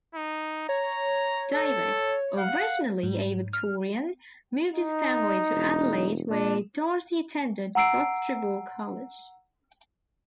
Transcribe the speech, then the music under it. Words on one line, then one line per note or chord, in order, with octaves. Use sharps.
David, originally a Victorian, moved his family to Adelaide where Darcy attended Rostrevor College.
D#4
C#5 A#5
A4
F5 F#5
G#2
F6
D#4
E1
A#2 D4
F#5 A#5 E6 C7 D7